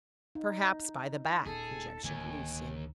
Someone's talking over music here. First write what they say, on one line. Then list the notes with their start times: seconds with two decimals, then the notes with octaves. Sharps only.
"Perhaps by the back," conjectured Lucian.
0.35 D#4
1.46 D#1 B3 G#4 A4
2.04 D1 D#2 D3 G#5